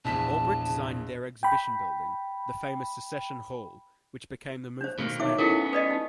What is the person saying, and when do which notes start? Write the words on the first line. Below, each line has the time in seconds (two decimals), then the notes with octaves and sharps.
Olbrich designed their exhibition building, the famous Secession Hall, which became the movement's landmark.
0.05 A#1 E2 A5 B6
1.43 G5 B5
4.81 D4 C5
4.99 B2 D#3 A#3
5.20 D#4 C#5 E5 D6
5.38 B3 C#4 E4 A4 A#4
5.73 B4 D5 D#5 D#6
5.91 D#4